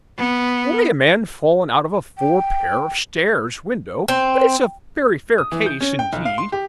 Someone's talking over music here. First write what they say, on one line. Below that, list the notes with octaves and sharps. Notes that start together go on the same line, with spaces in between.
'Only a man fallen out of a four pair of stairs' window; but it's a very fair case indeed.'
B3
G5
C4
D#6
E3
G6
C#4
G5
B1
F5
C6
G4